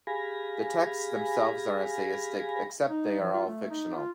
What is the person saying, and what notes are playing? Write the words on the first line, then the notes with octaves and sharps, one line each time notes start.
The texts themselves are essayistic, except that they are all fictional.
G4 G#4 F5 G#5 B5 A#6
D#4
F3
F4
A3
D#4
F4